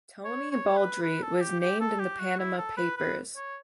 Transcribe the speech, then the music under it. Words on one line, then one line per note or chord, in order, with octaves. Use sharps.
Tony Baldry was named in the Panama Papers.
C#5
C#5
B4
B4
A4
G4
G4
A4
G4
F#4
E4
A4
B4
B4
C#5